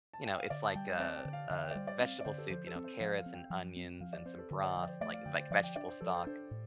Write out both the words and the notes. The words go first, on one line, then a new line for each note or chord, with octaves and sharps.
you know, it's, like, a a vegetable soup, you know, carrots and onions and some broth, like like vegetable stock,
A5
G5
F5
D3 D5
A5
G3 G5
C5
C4 D5
G5
D3
F5
D3 F5
G5
D5
G3 C5
D5
C4 F5
D5
D3 C5
A4
F3 C5
A4
C4
C5
F3 F5
F5
C4
G5
F3
C4
F3 F5
D5
C4 C5
A4
D3 C5
D5
F3 G5
D5
C5
A3 D5
F5
D3 G5
C5
F3 D5
G5
D4 D5
C5
F3 A4
C5
D4 C5
A2